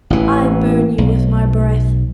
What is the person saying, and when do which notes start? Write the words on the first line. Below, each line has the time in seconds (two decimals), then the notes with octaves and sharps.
I burn you with my breath!
0.10 A1 E3
0.98 B1